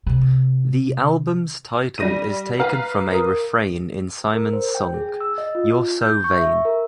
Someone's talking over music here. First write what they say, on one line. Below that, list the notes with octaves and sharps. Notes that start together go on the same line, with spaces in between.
The album's title is taken from a refrain in Simon's song You're So Vain.
C3
G3 A#6 D#7
B4 F5 A#5
A#4 D#6
A#4
C5
G5
G#4
E6
D#5
F4
G6
C#6
E5
A#4